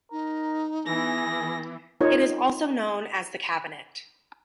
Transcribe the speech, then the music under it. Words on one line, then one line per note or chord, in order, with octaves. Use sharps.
It is also known as the cabinet.
D#4 A#4
E3 B3 G#4 A#6
D#4 F4 A#4 C#5